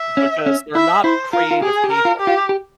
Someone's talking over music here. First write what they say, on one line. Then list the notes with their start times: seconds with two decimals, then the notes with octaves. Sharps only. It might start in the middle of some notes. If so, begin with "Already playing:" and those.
Because they're not creative people.
Already playing: E5
0.17 C#4
0.46 C#4
0.75 E4 E5
1.04 E4 C5
1.33 F4 A#4
1.51 F4
1.62 G4 G#4
1.84 G4
1.91 A#4
2.05 F4
2.20 G4
2.27 F4
2.49 G4